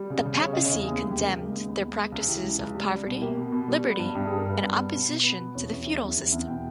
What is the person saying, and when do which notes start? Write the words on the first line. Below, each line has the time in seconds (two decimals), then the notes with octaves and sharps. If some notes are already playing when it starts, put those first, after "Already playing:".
The Papacy condemned their practices of poverty, liberty and opposition to the feudal system.
Already playing: G3
0.10 C#3
0.26 C#3
0.41 C#3 C#5
0.53 D#5
0.57 C#3
0.64 C#5
0.72 E2 G#4
0.88 D#2 G#4
0.99 G4
1.03 G#3
1.11 G4
1.19 C#3 A#4
1.34 G#3 G4
1.50 D#2
1.66 B3
1.81 G#3
1.97 G#3
2.12 C#2
2.28 E3 G4
2.43 C#2
2.59 C#2
2.75 G3
2.90 G3
3.06 B2
3.21 A#3 G4
3.37 B2
3.52 B2
3.68 G3
3.84 B3
3.99 G2
4.15 G2 G4
4.27 G#4
4.30 G3
4.38 A#4
4.46 G2 B4
4.61 B3
4.77 B3
4.93 B2
5.08 B2
5.23 B3
5.39 B2
5.55 E2 C#5
5.71 E2
5.86 E2
6.01 E2
6.17 E2
6.32 E2
6.48 B2 G5